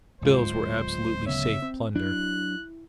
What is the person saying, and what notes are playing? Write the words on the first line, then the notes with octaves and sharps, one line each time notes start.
Bills were absolutely safe plunder.
D1 G#2 G#3 F4 C5
C#3 B3 C#5 E5
C4
F#3 D4 E4 F#6